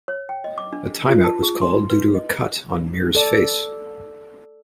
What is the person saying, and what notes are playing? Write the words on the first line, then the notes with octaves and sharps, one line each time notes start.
A time out was called due to a cut on Mir's face.
C#5
G5
D#5
D6
D4
F4
A5
G#4
C6
B4
D#5
A4 D5